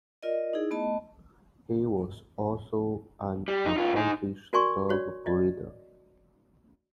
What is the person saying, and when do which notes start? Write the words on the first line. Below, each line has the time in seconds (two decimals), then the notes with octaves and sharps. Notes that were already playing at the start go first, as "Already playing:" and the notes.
He was also an accomplished dog breeder.
0.23 F4 A#4 D5 D#5
0.53 D#4 E4 G#4
0.71 A3 B3 D#5 A5
3.48 G3
3.66 D#4
3.78 C2 F4
3.96 D#4 G#4
4.53 F#4 A#4 D5 G#5 C6 C#6
4.89 F#4 C#5 D5
5.26 D5 D#5